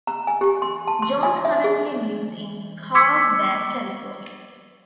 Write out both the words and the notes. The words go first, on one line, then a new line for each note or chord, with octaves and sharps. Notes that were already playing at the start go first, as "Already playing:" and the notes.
Jones currently lives in Carlsbad, California.
A#5
G#5
G4
C6
A5
C6
G#5
E5
G#4
C#6 D6 E6 G#6 B6 C#7